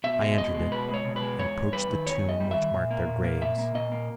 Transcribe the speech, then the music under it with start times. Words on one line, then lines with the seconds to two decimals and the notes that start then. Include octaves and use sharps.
I entered it and approached the tomb which marked their graves.
0.04 B2 E5
0.21 G#3
0.38 B2 D#5
0.54 G#3
0.72 B2 B4
0.88 G#3
0.94 C#5
1.05 B2
1.16 B4
1.22 G#3
1.39 E2 C#5
1.56 E2
1.73 G3 B4
1.90 D#3
2.06 E2 C#5
2.23 E2
2.29 D#5
2.40 G3
2.51 E5
2.57 D#3
2.73 A#2
2.91 A#3
3.07 A#2
3.24 A#3
3.41 A#2 E5
3.58 A#3
3.75 A#2 D#5
3.92 A#3